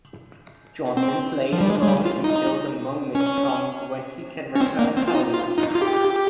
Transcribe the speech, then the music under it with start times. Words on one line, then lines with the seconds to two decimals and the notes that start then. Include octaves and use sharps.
Johnston plays along until the moment comes when he can return home.
0.97 C4
1.53 F3
1.61 G3
1.70 G#3
1.83 G#3
1.88 G3
2.05 F4
2.24 D#4
3.15 C#4
4.55 C#4
4.60 C4
4.79 A#3
4.97 C4
5.08 F4
5.15 D#4
5.34 F4
5.58 D#4
5.75 F4
5.82 G4